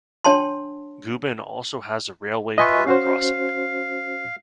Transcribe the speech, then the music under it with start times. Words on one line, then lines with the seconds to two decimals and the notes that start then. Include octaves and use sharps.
Gubin also has a railway border crossing.
0.24 D4 C#5 G5 A5 C6
2.58 F4 B4 D#5 E5 G#5 C#6
2.86 C#4 F#4 C5 F5